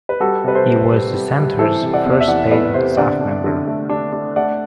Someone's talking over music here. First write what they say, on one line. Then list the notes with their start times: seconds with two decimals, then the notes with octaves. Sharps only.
He was the center's first paid staff member.
0.09 B4
0.20 G3 F#4 A4
0.44 C3 B4
0.55 A4 C5
0.67 C3
0.89 G3
1.14 G3
1.37 G3
1.59 E3 A4 C5
1.82 C3
1.93 D5 F#5
2.06 E2
2.13 D5
2.21 E5
2.28 E3 D5 F#5
2.51 E2 B4 D5
2.74 C3 C5 E5
2.97 D3 D5 F#5
3.21 D4
3.44 D3
3.67 A3
3.90 D4
4.13 D4
4.36 A3 D5 F#5